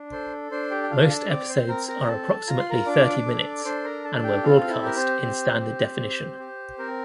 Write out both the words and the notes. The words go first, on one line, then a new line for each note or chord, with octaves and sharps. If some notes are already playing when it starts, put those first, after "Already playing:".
Most episodes are approximately thirty minutes, and were broadcast in standard definition.
Already playing: D4
A4 C5 C6
D4 C5 C6
G4 G5
G5
F4 A4 F5
A4 A5
C4 D5 D6
C5 C6
C4 A#4 A#5
A#4 A#5
A4 A5
F4 A#5
C6
A#4 A#5
D4 D5 D6
A4
D4 C5 C6
A#4 A#5
A4 A5
A5
G4 G5
C4 F4 F5
E4 E5
G4 A#4
C4 C5
C4
G4
C4
G4
C4 A#4